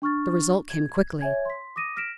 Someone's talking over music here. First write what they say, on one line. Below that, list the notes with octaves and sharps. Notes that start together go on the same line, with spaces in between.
The result came quickly.
D4 C#6 F6 A6
G#6
C#5 E5 G#5 G#6
C6 B6
D6 D#6 A#6 D#7
F6 A#6 B6 D7 E7